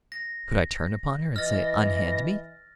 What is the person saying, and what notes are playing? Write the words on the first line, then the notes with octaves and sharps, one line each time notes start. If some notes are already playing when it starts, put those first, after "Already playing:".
Could I turn upon her and say "Unhand me"?
A#6
E3 D#5 F6 A6 A#6